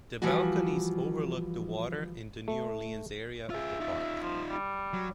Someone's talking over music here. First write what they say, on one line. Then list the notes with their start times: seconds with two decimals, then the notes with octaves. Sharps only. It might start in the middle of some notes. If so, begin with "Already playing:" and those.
The balconies overlook the water in the New Orleans area of the park.
0.22 E3 F3 G3 F4 F#4
2.48 A3
3.50 F4 G#4 E5
3.80 D#4 F4
4.22 F3
4.49 G3
4.93 F#3